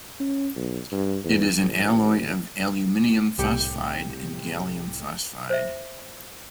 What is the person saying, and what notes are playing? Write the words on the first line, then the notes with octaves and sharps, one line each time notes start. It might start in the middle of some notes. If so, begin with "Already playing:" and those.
It is an alloy of aluminium phosphide and gallium phosphide.
C#4
B1
G2
E2
A1
C2 A2 G4 G5 C#7
C5 E5